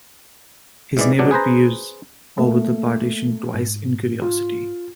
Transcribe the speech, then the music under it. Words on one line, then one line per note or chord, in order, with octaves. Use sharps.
His neighbor peers over the partition twice in curiosity.
G#2 E3 D5
G#2 B2 F#3 D4
G#4 B4 C5 A#5
A3 A#3
G#2
F4